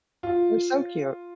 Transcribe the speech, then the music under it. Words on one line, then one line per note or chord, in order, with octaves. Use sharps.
They're so cute.
F4